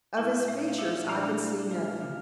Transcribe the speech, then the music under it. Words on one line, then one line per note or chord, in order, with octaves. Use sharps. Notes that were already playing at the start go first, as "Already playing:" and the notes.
Of his features I could see nothing.
A#2 E4 E5
A3
F5
A#2 E4 E5
A3 D4 D5
A3
A3 F4 F5
A#2 F4 F5